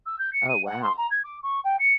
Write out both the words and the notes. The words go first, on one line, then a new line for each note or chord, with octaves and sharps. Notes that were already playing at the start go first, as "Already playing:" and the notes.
Oh, wow.
E6
G6
C#7
D#7
F#5
C6
A#5
G#6
D6
C#6
G5
C#7